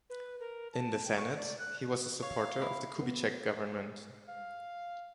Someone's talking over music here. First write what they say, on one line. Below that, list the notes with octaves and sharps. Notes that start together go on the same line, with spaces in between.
In the Senate, he was a supporter of the Kubitschek government.
B4
A#4
A5
G5
C#6
D5
F#6
C#5 F5
E4
B3
F5